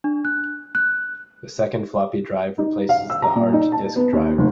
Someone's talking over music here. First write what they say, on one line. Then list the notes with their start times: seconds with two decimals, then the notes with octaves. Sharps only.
The second floppy drive replaces the hard disk drive.
0.04 D4
0.25 F#6
0.75 F#6
2.58 D#4
2.89 F5
3.10 E6
3.22 A#5
3.35 A#2
3.53 D#4
3.72 A5
3.96 B3
4.13 D#2
4.38 F1